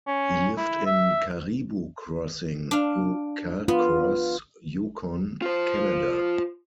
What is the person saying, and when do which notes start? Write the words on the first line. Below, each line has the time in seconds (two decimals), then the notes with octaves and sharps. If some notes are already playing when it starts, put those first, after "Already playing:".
He lived in Caribou Crossing, now Carcross, Yukon, Canada.
0.07 C#4
0.57 E4
0.86 E5
2.71 D4 F5
3.68 B3 F4
5.42 F4 C5